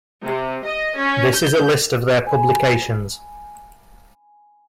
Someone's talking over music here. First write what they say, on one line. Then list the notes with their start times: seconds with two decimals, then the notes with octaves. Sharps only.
This is a list of their publications.
0.25 C3
0.65 D#5
0.99 C#4
1.35 G6
2.27 G#5 B5